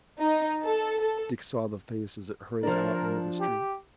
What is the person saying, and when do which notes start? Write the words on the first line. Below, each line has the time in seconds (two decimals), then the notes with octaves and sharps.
Dick saw the face as it hurried out into the street.
0.20 D#4
0.63 A4
1.01 A4
2.63 F3 D4 A#4
3.40 G4